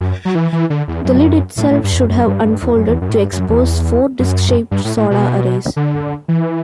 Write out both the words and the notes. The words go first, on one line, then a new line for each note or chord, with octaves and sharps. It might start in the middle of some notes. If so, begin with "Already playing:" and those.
The lid itself should have unfolded to expose four disk-shaped solar arrays.
F#2
F#3
E3
E3
D3
E2
F#2
A2
A2
G2
E2
F#2
F#2
G2
G2
E2
F#2
E2
F#2
A2
G2
F#2
E2
F#2
G2
A2
A2
B2
D3
E3